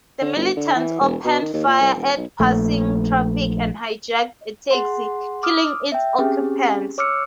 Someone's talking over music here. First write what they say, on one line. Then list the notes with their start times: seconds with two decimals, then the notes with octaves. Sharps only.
The militants opened fire at passing traffic and hijacked a taxi, killing its occupants.
0.22 D3
0.36 G1
0.56 D3
0.76 E3
1.01 E1
1.25 B2
1.42 D#3
1.53 D#2
1.67 A#2
1.81 C2
1.95 E1
2.17 B1
2.40 A#1 A3
4.71 G#4 F#5 C6
5.43 D6 D#6 F6
5.92 E5 G5
6.19 C4 C#4 G4 G#4
6.98 C#5 D6 E6 F6 C#7